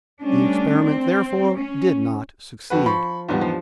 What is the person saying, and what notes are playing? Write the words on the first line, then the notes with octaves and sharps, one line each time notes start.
The experiment, therefore, did not succeed.
G3 A3 C#4 D4
C4
C#4
F2 F#4 B4
F3 B5 C#6
E2 G#2 G3 B3 D4 F4
F3